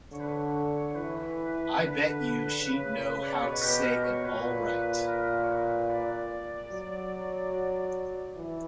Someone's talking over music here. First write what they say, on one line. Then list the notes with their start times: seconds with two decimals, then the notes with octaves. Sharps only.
I bet you she'd know how to say it all right.
0.12 D3 C#5
0.20 B4
0.27 C#5
0.95 E3 B4
1.77 D3
2.59 C#3
3.23 D5
3.32 C#5
3.42 B2 B4
3.62 G4
3.83 A#4
4.03 C#5
4.24 A#2 B4
4.96 B4
5.07 A#4
5.43 C#5
5.48 B4
5.89 D5
6.71 F#3
8.36 E3